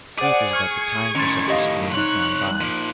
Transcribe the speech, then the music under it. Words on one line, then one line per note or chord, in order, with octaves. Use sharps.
The truth is that the time for such a scheme had gone by.
G#4 C5 D5 F#5 D6
C#6 F6 G#6
A2 D#3 C#4 C6 A6
G4 D#5 F5
C2 D#4 C#5 C6 F#6
F3 A#3